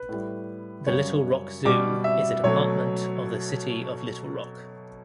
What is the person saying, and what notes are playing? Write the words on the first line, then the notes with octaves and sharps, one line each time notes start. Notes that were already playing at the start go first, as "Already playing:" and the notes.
The Little Rock Zoo is a department of the city of Little Rock.
Already playing: B4
A2 G3
F#2 C#3 G3 C#5
B2 G3 D6
E5
B2 F#3 A3 C#5